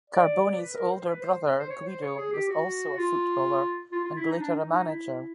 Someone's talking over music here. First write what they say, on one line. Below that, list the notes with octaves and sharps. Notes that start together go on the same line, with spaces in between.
Carboni's older brother, Guido, was also a footballer, and later a manager.
D5
B4
A#4
C5
C5
B4
C5
C5
C#5
C5
C#5
G#4
G4
F#4
F4
F4
F4
E4
D#4
D4
D#4
D#4
E4